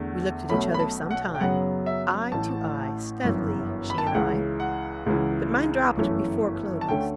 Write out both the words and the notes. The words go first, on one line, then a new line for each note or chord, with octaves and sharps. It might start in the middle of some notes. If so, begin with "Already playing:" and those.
We looked at each other some time--eye to eye, steadily, she and I: but mine dropped before Clodagh's.
Already playing: E2 D3 A3
B1 B2 A3 C#4 B5
B5
A5
F#5
G5
F#2 C#3 F#3 B3 F#5
E5
A1 A2 E3 A5
G1 F#2 E3
B5
A5
G5
C#2 C#3 E3 F#5
F#5
C#2 C#3 E3
G1 F#2 E3 A3 C#4
A5
D2 D3 A3 C#4 G5